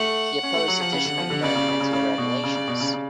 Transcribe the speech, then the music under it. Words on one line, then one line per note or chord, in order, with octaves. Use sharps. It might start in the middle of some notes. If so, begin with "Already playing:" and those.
He opposed additional environmental regulations.
Already playing: A3 F#5
C#4
A3
F#3
F3
C#3
D3
F3
D3
C#3 D5
C#3
C#3
C#3
C#3 D5
B2
C#3
C#3
B2
C#3
C#3